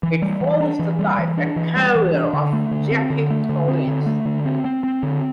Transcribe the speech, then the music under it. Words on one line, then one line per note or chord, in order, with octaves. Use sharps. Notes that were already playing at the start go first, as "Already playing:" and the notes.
It follows the life and career of Jackie Collins.
E3
G3
E3
D4
E3
G3
E3
D4
E3
G3
E3
D4
D3
A3
D3
C4
D3
A3
D3
C4
D3
A3
D3
C4
C4
C4
D3